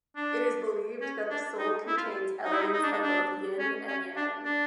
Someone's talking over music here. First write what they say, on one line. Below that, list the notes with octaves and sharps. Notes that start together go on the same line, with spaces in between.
It is believed that the soul contains elements of both yin and yang.
D4
C#4
D4
D#4
E4
F4
D#4
E4
D#4
D#4
D4
D#4
D4
C#4
C#4
D4
D4